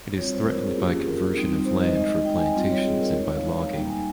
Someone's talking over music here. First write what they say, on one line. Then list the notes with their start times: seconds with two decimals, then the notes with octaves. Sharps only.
It is threatened by conversion of land for plantations and by logging.
0.17 G3 C4 F4 C#5
0.33 C5
0.47 A#4
0.62 G#4
0.76 A#3 C#4 F4 G4
0.92 G#4
1.06 A#4
1.36 G3 C4 D#4
1.65 C5
1.80 D#5
1.95 G#3 D#4 D#5
2.25 G5
2.35 G#5
2.46 G5
2.54 G3 C4 F4 D#5
2.70 C#5
2.84 G#4
2.99 A#4
3.14 G#3 C#5
3.18 D#4
3.24 C#5
3.35 F5
3.59 F5
3.73 G3 A#3 D#4 G5
3.88 G#5